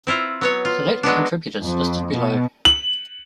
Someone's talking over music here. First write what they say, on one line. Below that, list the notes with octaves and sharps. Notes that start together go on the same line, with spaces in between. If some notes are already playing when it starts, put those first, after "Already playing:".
Select contributors listed below.
C4 E4 F4 A#5
F#3 B3 C#5
F4
F#3 G#3 B3 D4
F2
B2
F#7